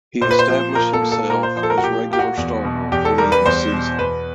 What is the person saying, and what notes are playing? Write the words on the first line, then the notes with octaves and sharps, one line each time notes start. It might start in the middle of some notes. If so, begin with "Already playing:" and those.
He established himself as regular starter early in the season.
A#2 C5
B4
C5
F3
A#2 A#4
A4
A#3
A4
A#2 A#4
C5
F3 C5
A4
A#4
F#4
A#2 G4
A#3 G4
F#4
E2
B2
E2 G4
A4
G3 A#4
B4
E2 C5
B2
E2 B4